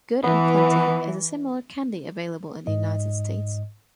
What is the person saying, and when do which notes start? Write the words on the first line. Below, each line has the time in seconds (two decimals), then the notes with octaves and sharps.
Good and Plenty is a similar candy available in the United States.
0.24 E3 B3
2.67 G#2 D#5